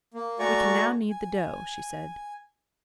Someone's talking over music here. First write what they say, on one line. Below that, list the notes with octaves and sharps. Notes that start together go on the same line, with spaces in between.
"We can now knead the dough," she said.
A#3
A3 F#4 D5 G#5 A#5 C#6
G#5